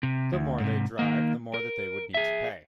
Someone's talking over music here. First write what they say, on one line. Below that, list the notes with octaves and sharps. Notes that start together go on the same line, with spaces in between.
The more they drive, the more that they would need to pay.
C3
D2
G#2 C3
D#3 A#3
A#4
G#4 E5